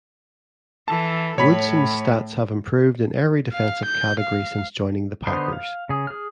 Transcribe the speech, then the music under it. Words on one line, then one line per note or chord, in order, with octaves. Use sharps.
Woodson's stats have improved in every defensive category since joining the Packers.
E3 A4 A5
A2 C#5 B5 B6
F5
G6
F5
D3 B3 D#4 C5 C6
F5
C#3 G#4
G#4 F6